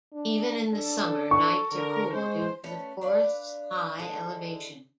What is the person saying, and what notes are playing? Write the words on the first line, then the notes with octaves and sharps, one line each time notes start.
Even in the summer, nights are cool due to the forest's high elevation.
D4
D4 A4
C#6
D3 A#4
G#3 C5
A3 C#4 B4
D4 B4 F5
D3 E3 G#3 A4